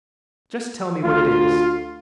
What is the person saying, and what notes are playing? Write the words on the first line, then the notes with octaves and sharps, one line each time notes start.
"Just tell me what it is."
D2 F4